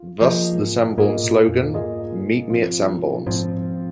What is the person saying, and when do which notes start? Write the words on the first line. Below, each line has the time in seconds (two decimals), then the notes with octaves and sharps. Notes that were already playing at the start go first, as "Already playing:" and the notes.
Thus the Sanborns slogan "Meet me at Sanborns".
Already playing: F4
0.21 F3 A#3 F4 G#4 D#5
0.60 G#2
0.98 G#2 A#3 F4 G#4 D#5
1.24 A#2
1.48 F2
1.73 G#2 A#3 F4 G#4 D#5
2.50 F3 C4 F4
3.27 G#2 F3 C4 F4